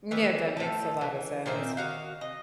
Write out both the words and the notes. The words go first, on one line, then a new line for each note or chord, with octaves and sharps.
M yeah, that makes a lotta sense.
D#3 E3 B3
A2 F3 A4
E3
A#2 D#3 C4 E4
D#3 F#4 F5
D#5